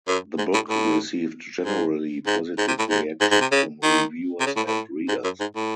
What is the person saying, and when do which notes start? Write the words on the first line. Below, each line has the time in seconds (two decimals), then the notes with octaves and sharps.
The book received generally positive reactions from reviewers and readers.
0.08 F#2
0.38 G#2
0.54 A2
0.69 A2
1.64 G#2
2.27 G#2
2.58 G#2
2.68 C3
2.79 A2
2.90 G#2
3.21 G#2
3.31 G#2
3.41 C3
3.52 C#3
3.83 D#3
4.40 C3
4.46 C#3
4.56 A2
4.67 A2
5.09 G#2
5.24 F#2
5.40 G#2
5.56 A2